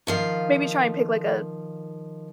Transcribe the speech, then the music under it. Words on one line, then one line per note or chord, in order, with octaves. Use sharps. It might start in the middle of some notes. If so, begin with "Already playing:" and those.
maybe try and pick, like, a
D#3 F3 F5